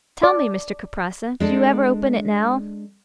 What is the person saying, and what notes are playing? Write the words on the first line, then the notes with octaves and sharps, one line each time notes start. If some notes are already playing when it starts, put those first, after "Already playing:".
Tell me, Mr Kuprasso, do you ever open it now?'
D5
G#3 D4 A4